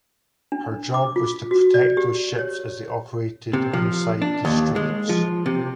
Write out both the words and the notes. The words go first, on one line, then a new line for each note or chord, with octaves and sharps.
Her job was to protect those ships as they operated inside the straits.
D4
D6
F4
F#4
D5
G4
C#5
C3
F3
D4
D#2
G#3
F3
C3